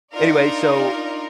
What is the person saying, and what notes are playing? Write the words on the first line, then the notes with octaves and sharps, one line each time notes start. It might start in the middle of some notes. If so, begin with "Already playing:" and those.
anyway, so,
D4 D#4 F4 A#4 D5